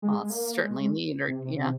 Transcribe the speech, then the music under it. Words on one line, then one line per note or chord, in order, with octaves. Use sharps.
uh, certainly need or yeah
G#3
G#3
A#3
G#3
C3